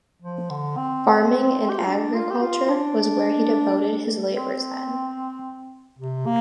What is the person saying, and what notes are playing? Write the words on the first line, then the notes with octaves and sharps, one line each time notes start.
Farming and agriculture was where he devoted his labors then.
F3
D3
C4
G4
F4
D4
F4
G4
F4
F4
D4
C4
C3
A#3